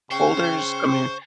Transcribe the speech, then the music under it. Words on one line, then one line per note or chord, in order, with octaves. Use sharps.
holders? I mean
C#3 C5 G5 C#6